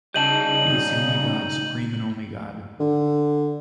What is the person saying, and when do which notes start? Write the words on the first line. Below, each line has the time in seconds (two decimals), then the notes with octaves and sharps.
He is the only God, supreme and only God.
0.14 C#3 G3 D#4 D#5 A5 G6 D#7 F#7
2.80 D3